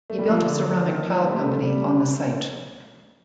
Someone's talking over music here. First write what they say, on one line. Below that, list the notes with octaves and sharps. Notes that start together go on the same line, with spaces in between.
He built a ceramic tile company on the site.
A3
G3
F3
D3
D#3
F3
G3
G3
A3
G3